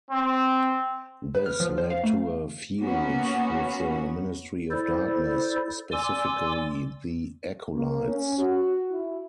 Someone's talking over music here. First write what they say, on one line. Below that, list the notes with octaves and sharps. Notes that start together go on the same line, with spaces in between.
This led to a feud with the Ministry of Darkness, specifically The Acolytes.
C4
B4
F6
F3
C5
F5
A3
A#3 B3 C#4 F#4
E4 A4 C5 D5
D5 G#5 C6 D6 E6
A#3
C#4
F#4
E4